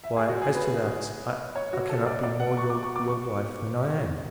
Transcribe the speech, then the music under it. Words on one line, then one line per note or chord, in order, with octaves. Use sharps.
"Why, as to that--I--I cannot be more your--your wife than I am."
E5
G#4
F#4
G#4
B4
C#5
F#4
A4
D5
D5
F#5
C#6
D6
C#6
D6
C#6